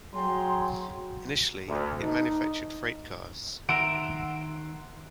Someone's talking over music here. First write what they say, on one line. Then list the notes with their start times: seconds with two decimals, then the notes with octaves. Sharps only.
Initially it manufactured freight cars.
0.14 F#3 G#4 G5 A#5 C6
1.67 D2
2.03 D#4
3.69 D#3 E5 F#5 A#5 C6 D7